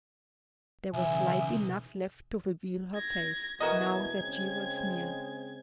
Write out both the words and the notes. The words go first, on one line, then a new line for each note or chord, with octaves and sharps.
There was light enough left to reveal her face, now that she was near.
B1 C#3 E3 E5 G#5
G#6 A#6
E2 B2 E3 F#4 A#4 D#5 G#6
C#3 G#3 C4